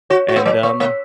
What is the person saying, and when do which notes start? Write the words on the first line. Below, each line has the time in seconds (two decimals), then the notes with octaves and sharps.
and, um,
0.10 F#4 C#5
0.28 F#4 C#5
0.36 B3
0.46 F#3 C#5
0.63 B3 C#6
0.80 A3 C#5